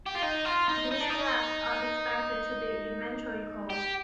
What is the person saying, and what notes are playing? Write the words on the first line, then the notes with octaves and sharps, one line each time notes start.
These gaps are expected to be eventually closed.
G4
F4
D#4
F4
D#4
D#4
D4
D#4
G4